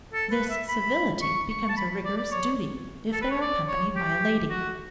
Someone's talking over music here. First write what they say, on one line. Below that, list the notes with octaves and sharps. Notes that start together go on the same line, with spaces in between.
This civility becomes a rigorous duty if they are accompanied by a lady.
A4
B4
E5
B5
C#6
C#6
A5
B5
D5
D5
C#5
A4
B4
C#5
D5
C#5
G4
F#4